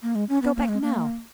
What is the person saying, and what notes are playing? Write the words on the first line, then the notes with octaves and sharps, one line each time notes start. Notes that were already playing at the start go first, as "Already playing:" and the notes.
Go back now!
A#3
G#3
C#4
B3
A#3
G#3
A#3